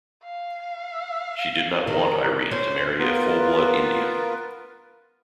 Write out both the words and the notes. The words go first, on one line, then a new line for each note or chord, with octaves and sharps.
She did not want Irene to marry a full-blood Indian.
F5
D#3 A#5
C#4 C5
B3 F4 A#4 B4